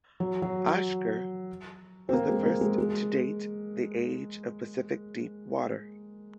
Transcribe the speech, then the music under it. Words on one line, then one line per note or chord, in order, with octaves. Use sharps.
Oeschger was the first to date the "age" of Pacific deep water.
F#3
F#3
C4
A#3
G#3
A#3
G#3
G#3